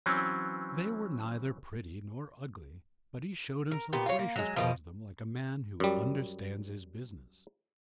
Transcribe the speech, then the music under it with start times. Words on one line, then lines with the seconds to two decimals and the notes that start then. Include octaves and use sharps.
They were neither pretty nor ugly, but he shewed himself gracious towards them like a man who understands his business.
0.06 E3 F#3 C4 C#4
3.71 A#4
3.93 A#2 B3 G4
4.06 F4 C#5
4.19 A#3
4.36 F#3 G#3
4.56 B2 D#3 F3
5.80 F#2 G3